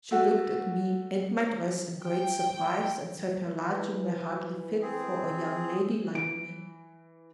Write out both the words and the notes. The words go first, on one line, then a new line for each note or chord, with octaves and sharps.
She looked at me and my dress in great surprise and said her lodgings were hardly fit for a young lady like me.
A3 F#4
G5
E3
C4 G#4
E3 D7